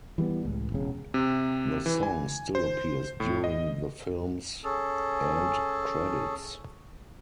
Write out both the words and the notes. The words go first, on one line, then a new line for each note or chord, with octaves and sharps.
The song still appears during the films end credits.
E3 G3 G#3 B3
C#2 A2
E1 C#3
C3
E3
G#5
C5
A2
D#5
C#4 G#4 A4